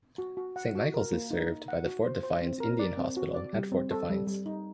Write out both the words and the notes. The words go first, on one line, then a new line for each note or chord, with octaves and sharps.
Saint Michaels is served by the Fort Defiance Indian Hospital at Fort Defiance.
F#4
F#4
F#5
F#4
A#4
A#3
D#4
D#4
F#5
F#4
C5
C5
C4
A#4
D5
C4
F#4
D5
G3
C4
A4
G3
G3
D#4